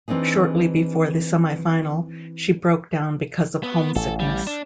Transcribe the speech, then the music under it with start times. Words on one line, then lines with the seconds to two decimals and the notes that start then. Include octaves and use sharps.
Shortly before the semi-final, she broke down because of homesickness.
0.08 E3 C4 D4 D#4 G#4
3.63 B3
3.96 A1 A4
4.20 G3
4.47 D4